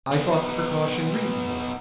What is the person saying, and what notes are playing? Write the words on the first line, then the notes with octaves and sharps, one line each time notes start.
I thought the precaution reasonable.
B3 D#4